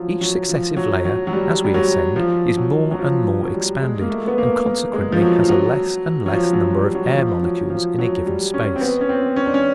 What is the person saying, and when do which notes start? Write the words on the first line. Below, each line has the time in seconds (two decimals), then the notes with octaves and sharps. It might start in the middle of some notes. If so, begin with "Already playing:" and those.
Each successive layer, as we ascend, is more and more expanded, and consequently has a less and less number of air molecules in a given space.
Already playing: F3 F#3
0.21 F#3
0.49 F3
0.77 F#3
1.05 F#3
1.27 F#3
1.33 G3
1.64 G3
1.74 F#3
2.16 F3
2.57 F#3
2.91 F#3
2.99 F3
3.43 F#3
3.54 G3
3.82 G#3
4.01 A#3
4.10 A3
4.27 B3
4.38 A#3
4.66 A#3
4.93 G#3
5.12 F3
5.21 F#3
5.43 F3
5.49 F#3
6.26 F#3
6.32 F3
6.53 F#3
6.73 G3
6.95 F#3
7.06 F#3
7.15 F3
7.43 F#3
7.70 F3
7.99 F#3
8.26 G3
8.54 C#4
8.76 C4
8.81 B3
9.01 C#4
9.09 C4
9.36 C#4
9.46 D4
9.54 C#4